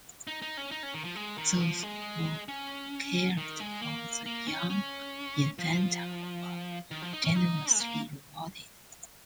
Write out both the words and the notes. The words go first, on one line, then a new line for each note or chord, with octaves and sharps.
Those who cared for the young infanta were generously rewarded.
D#4
D#4
C#4
D#4
C#4
D#3
F3
G#3
D#3
F3
G#3
C#4
D#3
G#3
A#3
A#3
C#4
C#4
F3
D#3
F3
D#4
C#4
D#4
G#3
A#3